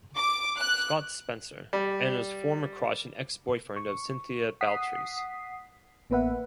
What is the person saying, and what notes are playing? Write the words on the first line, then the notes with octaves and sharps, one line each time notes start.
Scott Spencer - Anna's former crush and ex-boyfriend of Cynthia Baltres.
D6
F#6
G3
C#6
F#5 D#6 B6 C7
A1 A#3 B3 B4 E5 F#5